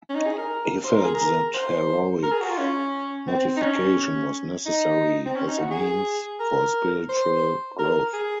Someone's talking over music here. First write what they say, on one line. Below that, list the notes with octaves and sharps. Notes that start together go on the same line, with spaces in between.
He felt that heroic mortification was necessary as a means for spiritual growth.
C#4
D#4
G#4
A#4
C5
A#4
G#4
A#4
C5
A#4
G#4
F#4
F4
C#4
C4
D#4
C#4
D#4
C4
C#4
D#4
F#4
G#4
A#4
C5
A#4
G#4